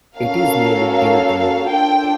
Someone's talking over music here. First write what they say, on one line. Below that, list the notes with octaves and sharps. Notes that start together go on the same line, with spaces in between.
It is nearly dinner-time.
A#3 C#4 F#4 A4 F5
F5
D4 F4 A4 G5